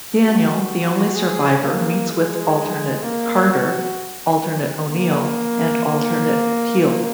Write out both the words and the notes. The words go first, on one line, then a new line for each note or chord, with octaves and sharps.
Daniel, the only survivor, meets with alternate Carter, alternate O'Neill and alternate Teal'c.
F#4
G#4
A#3
G#3
A#3
F#4
A#3
A#3
A#3